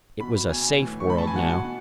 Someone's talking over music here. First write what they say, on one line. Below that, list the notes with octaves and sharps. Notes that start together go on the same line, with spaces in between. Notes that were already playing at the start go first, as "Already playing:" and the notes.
It was a safe world now.
B2 B5
B2 G#5
A2 E3
C#6
A2 E3 B5
A5
G#5
B2 F#5
B2